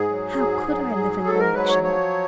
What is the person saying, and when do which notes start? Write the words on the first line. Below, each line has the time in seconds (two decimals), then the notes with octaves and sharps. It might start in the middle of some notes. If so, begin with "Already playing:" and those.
How could I live in inaction?
Already playing: G#2 G#4
0.10 F#3
0.38 G#2
0.67 F#3
0.96 G#2
1.25 G#2 A4
1.40 A#4
1.54 F#3 B4
1.68 C#5
1.83 F3 C#5